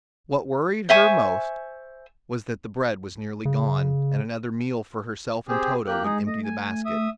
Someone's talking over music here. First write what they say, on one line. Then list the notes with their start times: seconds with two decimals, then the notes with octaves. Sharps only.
What worried her most was that the bread was nearly gone, and another meal for herself and Toto would empty the basket.
0.89 C5 E5 G#5 C#6
3.45 C#3
5.49 C4 G4 G#4
5.87 A#3 G4 F#6
6.03 G#3 D#4 G#4
6.27 A3 D#5
6.44 G#5
6.85 E5 D#6